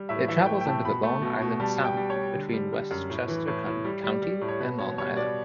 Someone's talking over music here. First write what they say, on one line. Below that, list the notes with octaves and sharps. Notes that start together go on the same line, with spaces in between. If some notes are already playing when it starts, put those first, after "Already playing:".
It travels under the Long Island Sound between Westchester County and Long Island.
Already playing: G3
A2 E5
E3 E5
A3 G5
G5
A2 A5
B2 B5
A3
B2
B2
G3 A5
B2
G5
G3
C#5
G3
D3
G3
G3
F#2
A2
E3
A2
A2
G3
G3
G3
A2
C#5
B2 B4
B2 C#5
G3 C#5
B2 D5